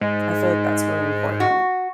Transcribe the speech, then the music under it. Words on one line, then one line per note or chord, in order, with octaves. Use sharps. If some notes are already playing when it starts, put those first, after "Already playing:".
I feel, like, that's really important.
G#2 G#3
F#4